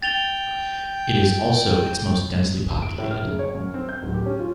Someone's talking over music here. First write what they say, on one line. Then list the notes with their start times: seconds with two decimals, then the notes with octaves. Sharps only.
It is also its most densely populated.
0.02 G5 A6 F7 G7
2.82 D7
2.98 A2
3.11 F6
3.24 F#1
3.39 C#5
3.55 F#2
3.74 C4
3.89 G6
4.03 D1
4.14 G4
4.26 C#4
4.39 F4